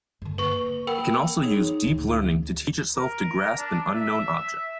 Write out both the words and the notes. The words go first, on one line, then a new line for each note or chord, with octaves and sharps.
It can also use deep learning to teach itself to grasp an unknown object.
G2 D3
A#3 B4 C#6
A#4 F#5 G5 B5 E6
D#4 G#4 C#5
D2 A#2
A#4
D4
E5